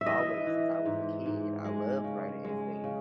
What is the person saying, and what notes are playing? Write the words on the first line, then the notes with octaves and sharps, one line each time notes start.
Always, since I was a kid. I loved writing essays.
E5
E3 D#5
E3
G#2
G#2
G#3
C#3
G#3
C#3